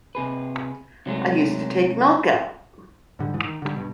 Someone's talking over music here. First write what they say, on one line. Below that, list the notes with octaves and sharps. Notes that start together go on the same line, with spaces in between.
I used to take milk out.
C3 G#4 B4
C3 F#3 G#3 A3
G#2 D3 G3
D#1 G#1 G#2 E3
D#3
D3 G3
G2 B2